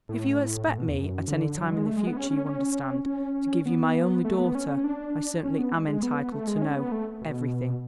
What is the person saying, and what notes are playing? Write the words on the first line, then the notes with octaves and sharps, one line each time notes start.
"If you expect me--at any time in the future, you understand--to give you my only daughter, I certainly am entitled to know--everything."
A2
A2
B2
E2
F#2
D3
F#3
G#3
A3
G#3
B3
C#4
C#4
C#4
C#4
B3
A3
B3
C#4
C#4
D4
C#4
B3
G#3
G#3
B3
A3
G#3
C#4
B3
A3
B2